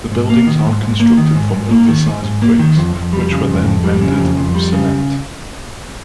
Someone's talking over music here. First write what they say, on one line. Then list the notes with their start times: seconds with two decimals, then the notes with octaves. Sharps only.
The buildings are constructed from oversize bricks, which were then rendered with cement.
0.12 G#2
0.30 A#3
0.47 D#3
0.65 G#2
0.83 G#2
1.00 A#3
1.18 D#3
1.35 G#2
1.54 G#2
1.71 A#3
1.89 D#3
2.06 G#2
2.24 G#2
2.42 A#3
2.59 D#3
2.77 F2
2.95 F2
3.13 G3
3.31 C#3
3.48 F2
3.66 F2
3.84 G3
4.01 C#3
4.18 F2
4.37 F2
4.55 G3
4.72 C#3